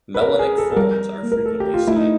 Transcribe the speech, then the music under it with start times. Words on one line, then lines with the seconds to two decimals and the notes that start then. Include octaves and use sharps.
Melanic forms are frequently seen.
0.15 B4
0.21 A#4
0.39 G#4
0.58 A4
0.70 A4
0.76 G3 A#4
1.23 A#3
1.32 A3 A#4
1.46 A4
1.60 G4
1.74 F4
1.87 A3 E4
1.96 D#4